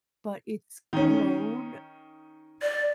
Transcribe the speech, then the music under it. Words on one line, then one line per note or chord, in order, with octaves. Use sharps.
but it's grown,
D#3 C#4
D5